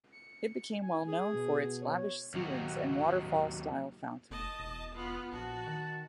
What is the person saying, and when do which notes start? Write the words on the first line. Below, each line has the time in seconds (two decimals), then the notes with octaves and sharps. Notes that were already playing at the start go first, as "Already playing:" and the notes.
It became well known for its lavish ceilings and waterfall-style fountain.
0.12 C#7
0.82 G#5
1.08 G#4
1.33 B2
1.81 C#5
2.34 D#2 F#3
4.31 F1 D#5 A5
4.59 E1
4.95 B3 F4
5.33 A#1 F#4 A5
5.67 D#3